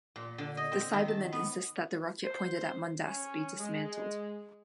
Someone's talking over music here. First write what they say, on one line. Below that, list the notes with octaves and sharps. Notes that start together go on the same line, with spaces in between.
The Cybermen insist that the rocket pointed at Mondas be dismantled.
A#2
D3
D#5
C4
D#3
A5
B3
C5
C#4
G#3